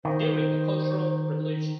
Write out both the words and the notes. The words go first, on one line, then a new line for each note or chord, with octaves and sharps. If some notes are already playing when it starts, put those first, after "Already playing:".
During the Cultural Revolution.
D#3 C5